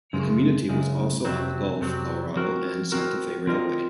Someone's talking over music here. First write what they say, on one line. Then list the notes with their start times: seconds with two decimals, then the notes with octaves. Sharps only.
The community was also on the Gulf, Colorado and Santa Fe Railway.
0.13 F#2 C#3 G#3
0.69 F#2 C#3 G#3
1.25 F2 C3 F#3 C4
1.81 F2 C3 F#3 C4
2.36 F3 C4 F#4 A#4
2.92 F3 C4 F#4 A#4
3.47 F3 C4 F4 A#4 D#5